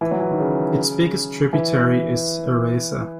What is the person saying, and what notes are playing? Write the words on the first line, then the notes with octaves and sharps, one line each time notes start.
Its biggest tributary is Aresa.
E3
F#3
E3
D#3
C#3
E3